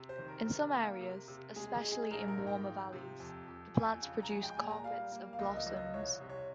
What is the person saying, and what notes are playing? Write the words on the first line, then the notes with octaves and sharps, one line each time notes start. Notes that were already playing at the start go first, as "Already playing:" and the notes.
In some areas, especially in warmer valleys, the plants produce carpets of blossoms.
Already playing: C3
C5
D#3
A#4
C3
A#3
C3
C3
G#3 G#4
G#4
D#4
G#4
A#1 A#4
A#4
G#2
G5
F3
C3
F2
F2
F2 G#5
C#3
A#5
G#3 G#5
G5
A#2 G#5
A#5
G3 F5
A#3
F5
C#2 D#5
D#5
C#2
D#5
C2 C#5
C3
C#5